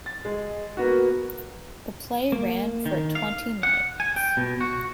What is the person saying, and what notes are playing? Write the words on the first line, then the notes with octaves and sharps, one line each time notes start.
The play ran for twenty nights.
A6
G#3
A#3 B3 F#4
A#3
D#3
F5
F#5
G#5
G5
B2
F#4